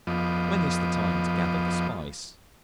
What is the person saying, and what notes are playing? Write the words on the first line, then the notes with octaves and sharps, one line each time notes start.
When is the time to gather the spice?
F2 F3 B3 D#5 D6